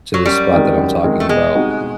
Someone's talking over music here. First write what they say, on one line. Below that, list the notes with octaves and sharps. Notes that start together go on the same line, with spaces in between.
to the spot that I'm talking about.
F#3
F#2 G3
D#3 G#3 C4
F#2
D#3 G#3 C4
A3
B2 G#3
G3 C4 D#4 F#4
B2